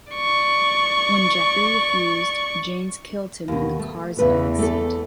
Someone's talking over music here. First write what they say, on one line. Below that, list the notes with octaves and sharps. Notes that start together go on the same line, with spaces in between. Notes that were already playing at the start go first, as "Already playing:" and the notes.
When Jeffrey refused, Jaynes killed him in the car's backseat.
D5 C#6
D#2 B2
A3
E2 C#3 A3 B4
A3 A4